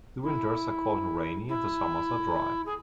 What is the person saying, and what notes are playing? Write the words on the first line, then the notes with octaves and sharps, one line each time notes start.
The winters are cold and rainy, and the summers are dry.
E4
E4
G#4